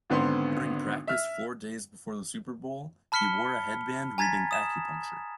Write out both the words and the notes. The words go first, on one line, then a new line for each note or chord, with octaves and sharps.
During practice four days before the Super Bowl, he wore a headband reading "Acupuncture".
G#1 D3 B3 C4 C6
E5 F6
A5 B5 F6 B6 C#7 G7
G#5 A#5 G#6 A6 B6
D#6 E7